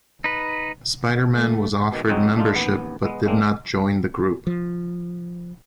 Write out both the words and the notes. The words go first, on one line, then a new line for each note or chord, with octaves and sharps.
Spider-Man was offered membership but did not join the group.
D#4 B4
A3
B2 D#3 G#3
F2 A2 G#3 C4 D#4 F#4
A3 D4 D#4 F4
A1 D#2 B3
G#3 B3
G#3 A#3 C4 D4
F3